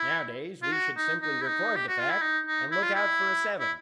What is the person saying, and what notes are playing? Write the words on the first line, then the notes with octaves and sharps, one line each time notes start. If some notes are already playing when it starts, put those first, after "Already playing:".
Nowadays, we should simply record the fact and look out for a seventh.
Already playing: E4
F4
F#4
D#4
D#4
E4
D#4
G4
F#4
F4
E4
D#4
D#4
E4
F4
E4
E4